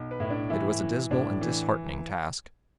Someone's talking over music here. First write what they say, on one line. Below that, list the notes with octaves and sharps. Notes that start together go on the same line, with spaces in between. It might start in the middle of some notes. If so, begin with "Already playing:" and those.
It was a dismal and disheartening task.
Already playing: B1
B4
A2 E4
D4
E3 E4
E3
A2 D4
E3